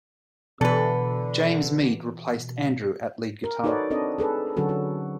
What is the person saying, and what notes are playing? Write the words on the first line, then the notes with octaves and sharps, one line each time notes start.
James Mead replaced Andrew at lead guitar.
B2 D3 E3 A4 B4
A#4
D#4 F#4 A4 B4 C#5 D5
C4 D4 A4 D#5
G#4 A4 B4
D3 F#3 C#4 F#4 A4
F#4